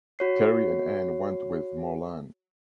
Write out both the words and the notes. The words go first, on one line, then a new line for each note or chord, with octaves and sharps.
Terry and Anne went with Morlan.
F#4 C#5 C7